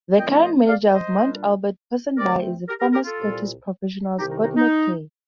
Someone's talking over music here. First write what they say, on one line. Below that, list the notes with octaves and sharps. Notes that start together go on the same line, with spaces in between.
The current Manager of Mount Albert-Ponsonby is former Scottish professional Scott MacKay.
A#2 F3 A3 C4 D#5 G5
C5 D#5
D5 F5
C5 D#5
A#2 G3 D4
G2 D3 A3 C4 A#4 D5
G4 A#4
G4 A#4
G4 A#4
F4 A4
C2 A#2 G3
C2 C3 D#3 D#4 G4
D#4
D#4
D#4